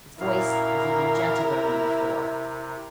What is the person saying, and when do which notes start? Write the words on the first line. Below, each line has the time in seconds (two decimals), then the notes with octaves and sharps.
His voice was even gentler than before.
0.21 F#2 A#2 E4 A#4 F5
1.48 C3